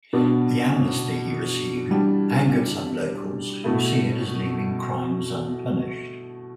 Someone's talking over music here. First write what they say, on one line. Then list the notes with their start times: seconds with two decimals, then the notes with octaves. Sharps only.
The amnesty he received angered some locals, who see it as leaving crimes unpunished.
0.13 B2 B3 D4
1.88 E3 G3 D4
3.64 B2 A3 E4